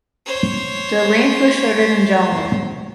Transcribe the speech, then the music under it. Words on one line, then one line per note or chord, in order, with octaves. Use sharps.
The length was shorter than Jama.
C5 C#5